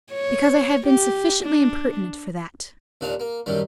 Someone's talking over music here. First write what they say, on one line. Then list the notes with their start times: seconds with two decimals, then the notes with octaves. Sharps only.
"Because I have been sufficiently impertinent for that."
0.12 C#5
0.86 G4
1.44 D4
3.01 D#2 A#2 D4 F5
3.20 A#3
3.46 F#2 A2 D#3 G3